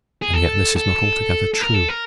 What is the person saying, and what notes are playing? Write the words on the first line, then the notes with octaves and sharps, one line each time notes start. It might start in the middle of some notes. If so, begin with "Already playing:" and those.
And yet this is not altogether true.
G#4
A4
A4
A4
A#4
A4
A#4